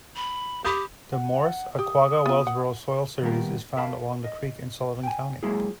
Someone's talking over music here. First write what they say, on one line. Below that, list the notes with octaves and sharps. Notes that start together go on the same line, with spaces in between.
The Morris-Oquaga-Wellsboro soil series is found along the creek in Sullivan County.
B5
G4 B5 D#6 G6
F#5
G4 D#6
B3 F4
F#5
D#3 G3 A#3 B3 G4 A#4
A#4 E5 F5 A5 B5
D#5
G5 G#5
F#3 G#3 A#3 E4 F4 G#4